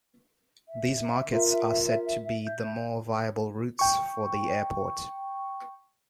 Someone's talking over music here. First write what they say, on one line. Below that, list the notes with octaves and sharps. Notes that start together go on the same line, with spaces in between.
These markets are said to be the more viable routes for the airport.
E5
F4 A#4
G6
G5 C#6